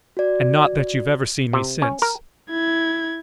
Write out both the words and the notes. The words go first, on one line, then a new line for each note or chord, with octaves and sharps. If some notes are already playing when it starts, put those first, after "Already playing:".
"And not that you've ever seen me since?"
F#4 D5
C3
C#4
A#4
E4 G#6